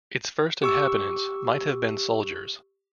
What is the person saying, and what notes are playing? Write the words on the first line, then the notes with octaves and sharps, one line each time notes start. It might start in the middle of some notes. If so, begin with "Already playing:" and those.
Its first inhabitants might have been soldiers.
G4 C#6 E6